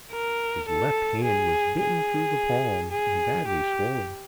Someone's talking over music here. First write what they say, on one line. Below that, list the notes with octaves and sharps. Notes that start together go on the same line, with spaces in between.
His left hand was bitten through the palm, and badly swollen.
A#4
A4
G#4
G#4
G#4
G4